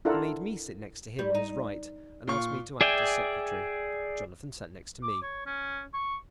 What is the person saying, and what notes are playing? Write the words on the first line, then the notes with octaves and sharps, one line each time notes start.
He made me sit next to him on his right, and asked me to act as secretary; Jonathan sat next to me.
D4 E4 F4 A4 A#4 F#5
G3
D#4
A#2 F5 C#6
G#4 D5 E5 G5 G#5
D6
C#5
C#4
C#6